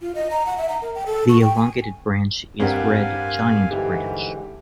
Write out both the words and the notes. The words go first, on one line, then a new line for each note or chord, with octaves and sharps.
The elongated branch is Red giant branch.
F4
D#5
A#5
F#5
E5
A#5
A#4
G5
A4
C#6
G5
G#5
G2 G3 C4 A#4 F5 F#5 G#5
G#2 D3 E3 G4